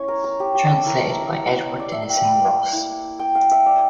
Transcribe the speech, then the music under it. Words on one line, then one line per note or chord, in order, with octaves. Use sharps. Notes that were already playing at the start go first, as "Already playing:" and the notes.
Translated by Edward Denison Ross.
Already playing: A3 C#4 E4 C#5
A#4
A#4
G4
G4
A4
A#3 E4 A#4
A4
A#4
D5
E5
E5
G5
F5
A#3 E4
G5
F5
E5
D5